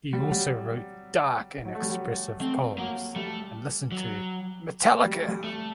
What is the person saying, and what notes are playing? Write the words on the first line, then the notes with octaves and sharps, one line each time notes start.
He also wrote dark and expressive poems and listened to Metallica.
G3
F#3
G3
F#3
A3
G3
F#3
A3 C4
F#3 A#3
G3 A3
F#3
G3
A3
G3
A3